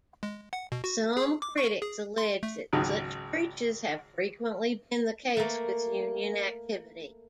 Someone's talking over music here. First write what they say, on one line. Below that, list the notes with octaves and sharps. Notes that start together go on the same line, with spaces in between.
Some critics allege that such breaches have frequently been the case with union activity.
G#3
F#5
B2
F#4
G#4
D6
C#6
G#4
C6
A3
G#1 C#2 F#3 D#4
A3 A#3